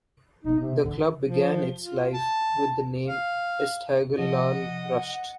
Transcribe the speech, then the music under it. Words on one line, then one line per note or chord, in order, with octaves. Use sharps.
The club began its life with the name, Esteghlal Rasht.
B2 B3 D#4
C3
A1 D3 D#3
F3
F4
A5
F5
C3 F3 D#5 F#5